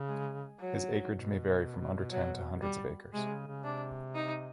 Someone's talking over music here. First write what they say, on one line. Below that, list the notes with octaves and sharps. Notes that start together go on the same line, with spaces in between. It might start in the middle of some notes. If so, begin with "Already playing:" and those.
His acreage may vary from under ten to hundreds of acres.
Already playing: C#3
G#3
F#3
B2
F#3
G3
C3 G#3
C#3
C#3
C3 D4
D#4